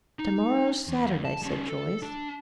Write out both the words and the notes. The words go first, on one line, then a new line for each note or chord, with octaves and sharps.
"To-morrow's Saturday," said Joyce.
D#4
E2
A5
G3 C#4
A4
D4